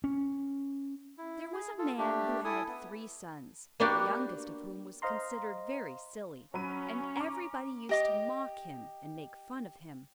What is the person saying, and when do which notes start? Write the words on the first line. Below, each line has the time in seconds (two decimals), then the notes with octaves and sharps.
There was a man who had three sons, the youngest of whom was considered very silly, and everybody used to mock him and make fun of him.
0.04 C#4
1.18 E4
1.53 G#4
1.78 F4 A4
1.98 A3 D4 G4
2.45 E4 A4 G#5 D#6
2.68 B3
3.80 A#3 B3 D4 F#4 G4
5.02 C5 D#5 F5 A#5 C6
6.54 F#3 C#4 B5 D#7
7.17 A#5 D6
7.89 G4 D#5 D6